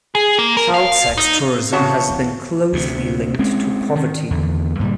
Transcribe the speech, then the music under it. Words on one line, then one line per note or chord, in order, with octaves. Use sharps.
Child sex tourism has been closely linked to poverty.
G#4
A#3
A#4
F5
D#4
E2 C#3 F#4 C#5 A5
D2 C3
G#3 C4 C#4
D#3
E2 D3
G2 A#2 D3 G3